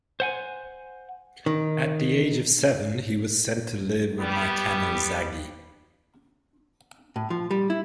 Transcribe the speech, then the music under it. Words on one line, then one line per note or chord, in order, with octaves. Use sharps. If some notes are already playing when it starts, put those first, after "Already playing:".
At the age of seven, he was sent to live with Maikano Zagi.
C5 F#5 G#5
D#3
G3 B3
A2
F3
G3
E4